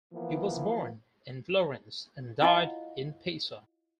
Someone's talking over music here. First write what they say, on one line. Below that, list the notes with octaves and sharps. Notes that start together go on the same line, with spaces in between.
He was born in Florence and died in Pisa.
E3 F3 A#3 B3
E4 F4 C#5 D#5 F5 F#5